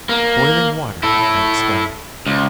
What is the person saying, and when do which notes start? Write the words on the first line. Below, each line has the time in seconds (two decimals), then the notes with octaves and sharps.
"Boiling water?" I exclaimed.
0.09 A#3
1.03 E4 A4
2.26 C#2